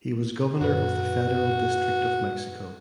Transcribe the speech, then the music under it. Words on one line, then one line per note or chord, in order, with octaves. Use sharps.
He was governor of the Federal District of Mexico.
F#2 A#2 F#4 B4